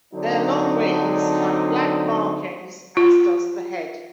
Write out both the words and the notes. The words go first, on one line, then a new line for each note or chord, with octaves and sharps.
Their long wings have black markings, as does the head.
D3 F#3 C4 D4 D#4
F4